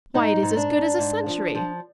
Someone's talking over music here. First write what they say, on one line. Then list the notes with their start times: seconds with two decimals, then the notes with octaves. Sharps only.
Why, it is as good as a century!
0.14 G#2 D#4
0.43 G#2
0.57 D4
0.71 G#2
0.99 G#2
1.26 F3
1.55 F3